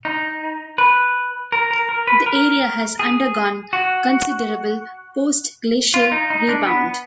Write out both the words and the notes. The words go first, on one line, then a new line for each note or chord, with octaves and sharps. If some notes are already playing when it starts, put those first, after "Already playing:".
The area has undergone considerable Post-glacial rebound.
D#4
B4
A#4
A#4
A#4
B4
A#4
G#4
F#4
F4
D#4
D#4
D4
B3